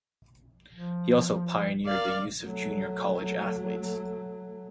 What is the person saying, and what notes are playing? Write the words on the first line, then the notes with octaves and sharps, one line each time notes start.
He also pioneered the use of junior college athletes.
F3
A#4 D5 F5
F#3 A3